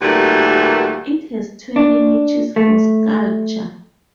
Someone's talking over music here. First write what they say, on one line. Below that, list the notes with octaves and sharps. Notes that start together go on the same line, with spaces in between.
It has twenty niches for sculpture.
D#2 A#2 G3 A3 F#4 B4
D4
A3